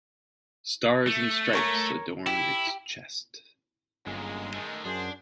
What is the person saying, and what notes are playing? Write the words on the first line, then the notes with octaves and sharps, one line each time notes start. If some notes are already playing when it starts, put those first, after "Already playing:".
Stars and stripes adorn its chest.
A3
A#4 C#5 A#5
E4 G4
G1 F#2 A#2 G#3
D#3 A3
F#2 D4 F#4 G#4 C5